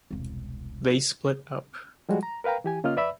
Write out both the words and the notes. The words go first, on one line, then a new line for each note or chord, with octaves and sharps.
They split up.
E1 C2
F3 G3 G#3 F#4
A#5
A#4 B4 F5 G5 A#5
E3 G4 G#5
C#3 A#3 C#4 F4 D#5 F6
F2 B4 D5 E5 B5 E6